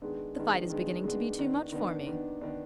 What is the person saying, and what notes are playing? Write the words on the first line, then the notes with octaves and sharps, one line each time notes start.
The fight is beginning to be too much for me.
D#3 G#3 B3 D4
D#3 G#3 B3 D4
D#3 G#3 B3 D4
D#3 G#3 B3 D4
D#3 B3 D4
D#3 B3 D4
D#3 B3 D4
D#3 B3 D4